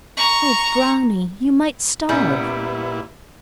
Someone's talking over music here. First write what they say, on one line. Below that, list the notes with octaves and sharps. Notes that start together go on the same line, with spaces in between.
'Oh, Brownie, you might starve!'
A#5 C#6
A#2 G3 B3 C#4 D#4 E4 B4 G#5